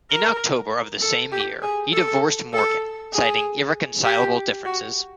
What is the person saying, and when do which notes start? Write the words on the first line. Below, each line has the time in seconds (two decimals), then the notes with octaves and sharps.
In October of the same year, he divorced Morgan, citing irreconcilable differences.
0.11 A#4
1.02 A4
1.32 G4
1.62 G#4
1.93 A4
2.53 A4
3.13 G#4
4.04 G4
4.65 F#4